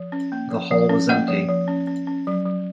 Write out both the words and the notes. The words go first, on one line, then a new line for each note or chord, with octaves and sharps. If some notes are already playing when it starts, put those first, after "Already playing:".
The hall was empty.
Already playing: F3
C#4
A#3
F3
F3
C#4
A#3 D#5 F#5
F3
F3
C#4
C#4
C#4
F#3
F#3